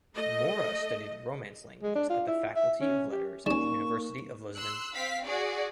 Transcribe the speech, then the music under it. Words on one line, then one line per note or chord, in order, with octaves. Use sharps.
Moura studied Romance languages at the Faculty of Letters at the University of Lisbon.
A3 D#5
G#3
D4
F4
E4
E5
C#4
G4
G3 A#3 C#4 D#4 C#6 E7
C6 E6 F#6
C4 F5 B6
F#4 G#4 D5